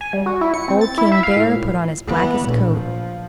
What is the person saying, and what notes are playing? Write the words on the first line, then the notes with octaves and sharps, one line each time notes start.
Old King Bear put on his blackest coat.
G#5
G3
F#4
E4
C#7
C4
A6
E4
E5
F5
A2
A#2
E3 B3
A#1 A2
F3